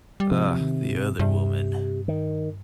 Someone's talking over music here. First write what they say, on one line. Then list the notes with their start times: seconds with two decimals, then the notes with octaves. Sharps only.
Ah, the other woman!
0.20 G3
0.31 C3 F3
0.60 D#3
0.90 G#2
1.19 G2 C3
2.08 D#3